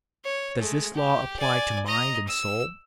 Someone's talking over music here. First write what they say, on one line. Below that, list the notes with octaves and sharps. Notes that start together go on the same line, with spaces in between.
Does this law apply to mind and soul?
C#5
G#3 A3
G4
D5 G#5
D#5 A#5
E6